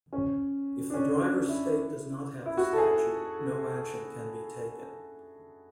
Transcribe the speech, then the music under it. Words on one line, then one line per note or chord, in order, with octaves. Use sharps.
If the driver's state does not have the statute, no action can be taken.
C#4
D4
C#4
D4
E4
E4
F#4
A4
G#4